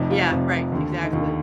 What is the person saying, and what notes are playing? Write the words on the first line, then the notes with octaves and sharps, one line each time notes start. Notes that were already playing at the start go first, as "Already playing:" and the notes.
Yeah, right, exactly.
Already playing: F1 F2 C3 D#4
F4
F1 F2 C3
D#2 D3
D#4
D#2 D3 F4